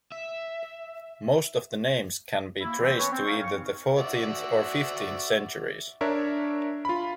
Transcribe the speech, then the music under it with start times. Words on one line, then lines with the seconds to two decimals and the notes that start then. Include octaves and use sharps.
Most of the names can be traced to either the fourteenth or fifteenth centuries.
0.12 E5
2.61 A#3 E4
2.79 E3 B3 C4
2.98 C#4 B4 C#5
3.11 C4
3.26 D#4 C#5 F5
3.42 C#6
3.97 F#4 D5 E5
6.01 D4 A#4 C#5 E5
6.85 F4 B5